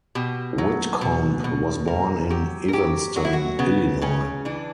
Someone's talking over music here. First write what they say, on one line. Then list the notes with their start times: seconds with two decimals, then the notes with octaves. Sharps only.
Whitcomb was born in Evanston, Illinois.
0.15 B2 G4
0.58 F#3
1.01 B2
1.44 B2
1.87 B2 A#4
2.30 F#3 G4
2.68 A#4
2.73 F#3 G4
3.16 F#3 F#4
3.25 E4
3.33 F#4
3.59 C#3 B3
4.02 C#3 C#4
4.45 E3 D4